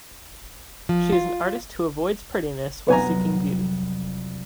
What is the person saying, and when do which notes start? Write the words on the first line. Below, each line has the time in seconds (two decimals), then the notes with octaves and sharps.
She is an artist who avoids prettiness while seeking beauty.
0.89 F3
1.12 F4
2.88 C2 F2 F#3 B3 G#5 A#5